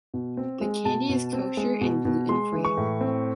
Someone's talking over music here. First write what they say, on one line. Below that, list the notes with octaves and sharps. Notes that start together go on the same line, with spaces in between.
The candy is kosher and gluten-free.
B2
C4
G#3
B2 A5
B2
C4
G#3
B2
B2
G#3 C6
E3
C#6
A2
C4